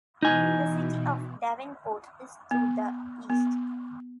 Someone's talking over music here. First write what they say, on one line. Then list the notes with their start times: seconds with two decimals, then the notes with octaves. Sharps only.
The city of Davenport is to the east.
0.22 B2 E3 D#4 G#5
2.51 B3
3.30 B3